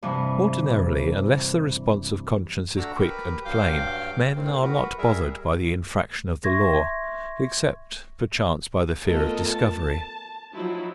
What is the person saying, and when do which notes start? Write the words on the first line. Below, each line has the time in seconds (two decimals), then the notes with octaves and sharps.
Ordinarily unless the response of conscience is quick and plain, men are not bothered by the infraction of the law except, perchance, by the fear of discovery.
0.03 G2 C3 E3
2.77 A3 D4 F#4 A#5 E6
2.98 G4 A#4 B4
3.45 G2 F#3 F5 G5 D6 G6
4.35 A2 D#3 C4
4.62 F#4 A#4 B4
4.98 G3 G#4 A#4 E5
6.44 E5 C6 C#6 G#6 A#6
9.07 A3 B3 F4 A4 A#4 D#5
9.48 A5
10.54 F3 F#3 D#4 E4